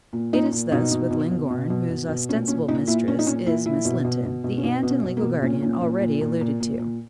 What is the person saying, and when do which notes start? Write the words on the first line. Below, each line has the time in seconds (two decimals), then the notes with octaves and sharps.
It is thus with Llangorren, whose ostensible mistress is Miss Linton, the aunt and legal guardian already alluded to.
0.13 A#2
0.33 A#2 D#4
0.52 A#2
0.72 B2 D#4
0.91 B2
1.11 B2
1.31 B2
1.50 B2
1.70 B2
1.90 B2
2.08 B2
2.29 A#2 C#4
2.48 A#2 C#4
2.68 A#2 D#4
2.87 A#2 E4
3.08 A#2 C#4
3.19 D#4
3.27 A#2 C#4
3.46 A#2 E4
3.65 A#2 E4
3.85 B2
4.04 B2
4.25 B2
4.44 B2
4.58 C#4
4.63 B2 D#4
4.83 B2 B3
4.91 C#4
5.03 B2
5.17 A#3
5.22 B2
5.42 A#2 C#4
5.62 A#2
5.81 A#2
6.01 A#2
6.21 A#2
6.41 A#2
6.60 A#2
6.79 A#2